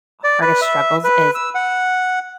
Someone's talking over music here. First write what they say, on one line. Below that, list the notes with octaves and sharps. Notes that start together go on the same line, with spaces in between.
hardest struggles is
D5
B4
E5
B4
E6
F#5